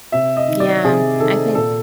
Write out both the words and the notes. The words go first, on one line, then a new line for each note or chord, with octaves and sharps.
Yeah, I think
C3 E5
D#5
D#3
D5
C3 G#4
D#3 A4
A#2 A4